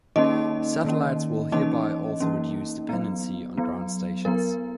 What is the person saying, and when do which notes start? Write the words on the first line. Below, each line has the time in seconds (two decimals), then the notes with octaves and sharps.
Satellites will hereby also reduce dependency on ground stations.
0.16 D#3 A#3 C#4 D#4 D#5
0.85 D#3 A#3 C#4
1.52 E3 A#3 C#4 D#4 D#5
2.20 E3 A#3 C#4
2.89 F#3 B3
3.57 F#3 B3
4.25 F#3 B3 A#4